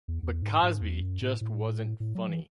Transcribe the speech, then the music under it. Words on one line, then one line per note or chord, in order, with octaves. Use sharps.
But Cosby just wasn't funny.
E2
E2
G#2
G#2
E2
F#2
A2
A2
A2
F#3
E3